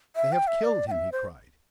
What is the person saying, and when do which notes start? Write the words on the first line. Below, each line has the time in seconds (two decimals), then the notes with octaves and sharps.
"They have killed him!" he cried.
0.16 E5
0.32 G5
0.47 E5
0.64 D5
0.88 G5
0.91 E5
1.12 C5